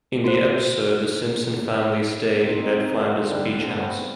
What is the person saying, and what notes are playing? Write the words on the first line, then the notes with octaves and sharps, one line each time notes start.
In the episode, the Simpson family stay in Ned Flanders' beach house.
F#4 C5
C4 D#4
A#2 D#3 C4 F4
D3 G3
A3 B3 C4 G4 G#4